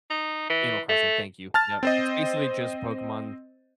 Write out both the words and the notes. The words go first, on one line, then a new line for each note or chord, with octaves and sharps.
Animal Crossing, thank you, yep. It's, basically, just Pokemon
D#4
E3
A3
A5 F6 A6
C4 C5 D#5